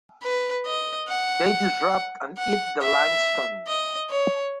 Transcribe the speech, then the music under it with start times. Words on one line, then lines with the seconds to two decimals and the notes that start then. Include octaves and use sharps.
They disrupt and eat the limestone.
0.22 B4
0.66 D#5
1.08 F#5
2.38 F#5
2.81 E5
3.67 D#5
4.10 C#5